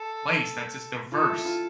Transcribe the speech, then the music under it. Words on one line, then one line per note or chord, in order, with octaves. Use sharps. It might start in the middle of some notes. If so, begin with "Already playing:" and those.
place that's just diverse
Already playing: A4
F4 A4
E4
F4